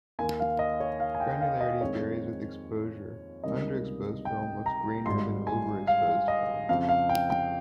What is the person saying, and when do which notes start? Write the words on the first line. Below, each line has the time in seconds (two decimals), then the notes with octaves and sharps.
Granularity varies with exposure - underexposed film looks grainier than overexposed film.
0.19 D#2 D#3 A#3 G#5
0.40 F5
0.59 D#5
0.80 C#5
1.00 F5
1.15 G#5
1.20 G5
1.41 F5
1.61 D#5
1.81 F2 D#3 G#3 C4 C#5
3.44 C#2 C3 D#3 G3 A#3 D#5
4.25 G5
4.66 A#5
5.06 G#1 G#2 G3 C6
5.47 G#5
5.87 F5
6.28 D#5
6.69 F2 C#3 F3 C4 F5
6.89 F5
7.09 G5
7.30 G5